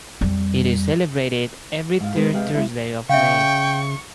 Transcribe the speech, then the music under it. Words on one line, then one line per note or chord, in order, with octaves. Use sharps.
It is celebrated every third Thursday of May.
F2 G3
G#2 F5
B2 G#3 C4 B4
C3 G#3 B4 D#5 F5 G5
F2 G#3 E4 E5
C#3 E5 F5 G5 C#6